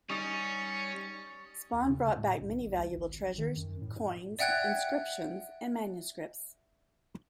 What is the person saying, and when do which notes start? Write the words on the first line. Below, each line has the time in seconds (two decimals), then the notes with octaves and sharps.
Spon brought back many valuable treasures, coins, inscriptions and manuscripts.
0.10 G3 C#4 D#4 C#6 D#6 A6
1.72 D#2
1.89 C#3
2.17 A2
2.40 B1
2.57 A1
2.73 C#2
2.90 G#1
3.23 A#1
3.37 D#3
3.56 F#2
3.80 A2
4.39 D5 E5 F#5 G5 F#6 G#6